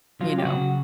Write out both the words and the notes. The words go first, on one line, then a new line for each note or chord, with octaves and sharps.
you know,
F#3 F4
G4
C#3 F#4